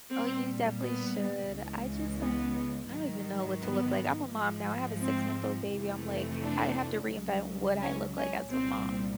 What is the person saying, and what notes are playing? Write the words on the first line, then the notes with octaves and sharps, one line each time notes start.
Oh, you definitely should. I just, um I don't even know what to look like. I'm a mom now. I have a six-month-old baby, I'm, like, I have to reinvent what I look like as a mom.
A#2 G3 A#3 C4
B3
C#2 C#3 E3 G#3
B3
G#2 D#3 F#3
B3
G#2 F3 G#3
C4
F2 C3 E3 A3
D4
C#2 C#3 F#3
C#4
C#4
C2 A#2 G3 C4